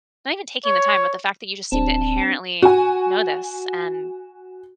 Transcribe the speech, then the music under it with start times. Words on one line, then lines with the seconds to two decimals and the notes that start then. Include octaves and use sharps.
not even taking the time, but the fact that you just seem to inherently know this and
0.65 C#5
1.72 D1 C4 D4 A5
2.62 F#4 G#5